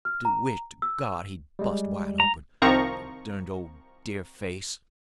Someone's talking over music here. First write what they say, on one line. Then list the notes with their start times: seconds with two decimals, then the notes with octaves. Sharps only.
I do wish to God he'd bust wide open, the durned old deer-face!
0.05 F6
0.25 A#5
0.82 E6
1.59 G3 G#3
2.20 A#5
2.62 C2 D#3 F3 C4 A#5 C#6